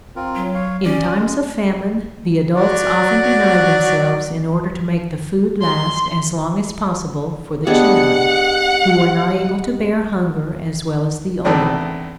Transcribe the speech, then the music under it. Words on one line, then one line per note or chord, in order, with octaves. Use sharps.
In times of famine, the adults often denied themselves in order to make the food last as long as possible for the children, who were not able to bear hunger as well as the old.
C4 F4 A#4
F#3
C#5 F5
C#4 D5
G#3
F#3 D5 F#5
C6
B3 D4 G4 G#4 D#5 F#5
E2 A2 D#3 A3 C4 D4